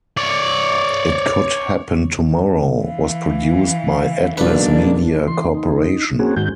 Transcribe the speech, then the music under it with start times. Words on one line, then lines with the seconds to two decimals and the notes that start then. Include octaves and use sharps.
"It Could Happen Tomorrow" was produced by Atlas Media Corporation.
0.17 C#5 D5
2.83 E3 F5
4.37 B1 G#3 A#3 D4 B4 D5
5.28 E3 C6
5.54 D#4
6.19 A#3 C4 C#4 F#4 G#4
6.36 G#2 D#3 G#3 F#4 G6